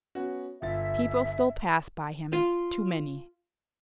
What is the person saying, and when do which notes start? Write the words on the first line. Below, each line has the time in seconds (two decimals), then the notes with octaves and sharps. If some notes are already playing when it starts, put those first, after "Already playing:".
People still passed by him--too many.
0.15 B3 C#4 F#4
0.62 G1 F4 E5 A6
2.33 F4